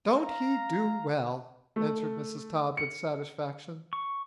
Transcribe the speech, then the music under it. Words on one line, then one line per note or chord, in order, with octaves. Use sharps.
"Don't he do well?" answered Mrs. Todd with satisfaction.
F5 A#5
A3
C#7
C#6